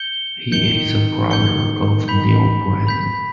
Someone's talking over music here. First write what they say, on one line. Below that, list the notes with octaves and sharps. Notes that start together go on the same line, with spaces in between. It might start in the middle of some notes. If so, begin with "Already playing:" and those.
He is the brother of Neal Brennan.
Already playing: G6 C#7 G7
D#3 G6 C#7 G7
G6 C#7 G7
B5 G6 B6
B5 G6 B6